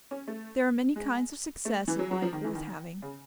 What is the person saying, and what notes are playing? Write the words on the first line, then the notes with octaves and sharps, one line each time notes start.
There are many kinds of success in life worth having.
C#4
A3
G#3
A3
E3
F#3
F#3
F3
D#3
E3
D#3
C#3